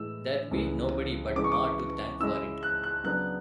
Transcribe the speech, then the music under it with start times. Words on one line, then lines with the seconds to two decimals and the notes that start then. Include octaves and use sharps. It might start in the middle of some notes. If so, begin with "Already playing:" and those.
There'll he nobody but Ma to thank for it.
Already playing: A2 E3 G#3 E6
0.51 C#2 C#3 E3 B3
1.36 C#3 E3 G#3 D6
1.44 C#6
1.52 D6
2.20 C#3 G#3 C#4 E4 E6
2.63 F#6
2.84 F#6
3.04 C#3 F#3 B3 D4 F#6